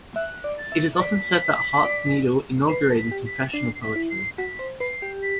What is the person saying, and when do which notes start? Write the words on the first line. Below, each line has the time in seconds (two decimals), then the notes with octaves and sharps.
It is often said that "Heart's Needle" inaugurated confessional poetry.
0.16 E5 F#6
0.44 D5
0.58 A6
0.72 E5
0.96 A6
1.00 D5 B6
1.85 D5
2.69 B4 C7
2.90 A4
2.98 B6
3.11 G4
3.26 B6
3.54 D4 C7
3.75 C7
3.82 B6
3.96 E4
4.10 C7
4.38 F#4 B6
4.59 C5
4.80 B4 C7
5.02 G4
5.23 B6